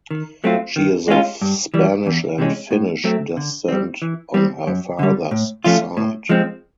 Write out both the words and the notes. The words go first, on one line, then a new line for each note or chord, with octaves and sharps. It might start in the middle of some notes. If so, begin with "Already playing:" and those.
She is of Spanish and Finnish descent on her father's side.
D#3
F#3 A3 C4 F4
D#3
G#3 C#4 F4
G2
E3 G3
E2
C3 E3 G#3 C#4
A2
F#3 A3 C4
D3
G3 C4
E3
G3 C4
F#2
D3 G3
A2
F3 A3 C#4 F4
A2
F3 G#3 C4